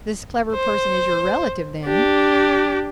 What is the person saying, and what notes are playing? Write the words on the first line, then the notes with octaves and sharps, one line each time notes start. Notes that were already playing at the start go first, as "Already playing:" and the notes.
"This clever person is your relative, then?"
C5
D4 G4